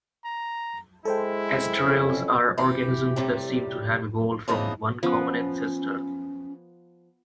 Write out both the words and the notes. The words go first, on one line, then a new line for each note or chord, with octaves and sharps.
Asterales are organisms that seem to have evolved from one common ancestor.
A#5
G#3 E4 A4 C5 G5
F2 C#4
E3 G4
A2 C3 G3
C#3 E3 F3 A#3 B3 D#5
F3 B3 C#4